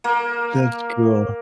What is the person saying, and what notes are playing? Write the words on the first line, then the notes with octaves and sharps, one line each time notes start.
That's cool.
A#3